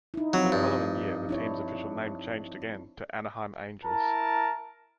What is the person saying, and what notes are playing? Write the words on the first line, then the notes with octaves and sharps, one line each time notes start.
The following year, the team's official name changed again to "Anaheim Angels".
D#4 E4
F3 F#3 C4 F4
G2 D#5
D4 E4 C#5
E4 A#4 A5